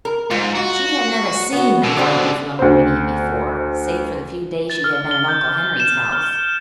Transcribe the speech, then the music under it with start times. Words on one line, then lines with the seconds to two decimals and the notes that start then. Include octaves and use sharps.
She had never seen men like these lumbermen eat before, save for the few days she had been at Uncle Henry's house.
0.05 A#4
0.31 G#2 F4
0.56 F#4
1.53 B3 F#4
1.84 B2 D3
1.97 C3 G3 C5
2.59 D2 C5
4.70 A6
4.84 F6
5.11 G7
5.28 G6
5.80 E7
6.12 F6